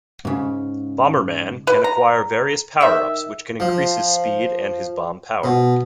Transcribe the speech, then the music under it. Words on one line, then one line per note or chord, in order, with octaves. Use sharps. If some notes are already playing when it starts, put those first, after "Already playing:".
Bomberman can acquire various power-ups which can increase his speed and his bomb power.
G#2 C#3
B4
A#5
D#3 E5
F3
B2